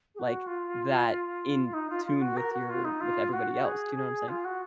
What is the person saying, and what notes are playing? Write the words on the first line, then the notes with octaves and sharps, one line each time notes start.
like, that in tune with your with everybody else do you know what I'm saying?
G#4
F#4
F4
D#4
F4
F4
F#4
A#4
F#4
F4
D#4
F4
F#4
G#4
G#4
F4
F#4